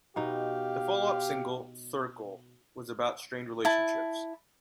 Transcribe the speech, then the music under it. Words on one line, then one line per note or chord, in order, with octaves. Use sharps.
The follow-up single, "Circle," was about strained relationships.
B2 D#4 G4 F5
E4 A5